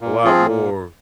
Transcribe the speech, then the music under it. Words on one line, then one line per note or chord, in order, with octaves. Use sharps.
a lot more
A#2
F3 C4 F4 G#4
A#2